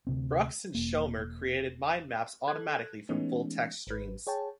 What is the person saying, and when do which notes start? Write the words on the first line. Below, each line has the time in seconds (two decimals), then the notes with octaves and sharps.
Brucks and Schommer created mind maps automatically from full-text streams.
0.07 D2 C3 C4
0.75 E1 A#3
2.47 A4 F#6 G#6
3.09 E3 G#3 A3 B3 C#4 D#4
3.87 G#1 B4
4.27 G#4 C#5 G5 A5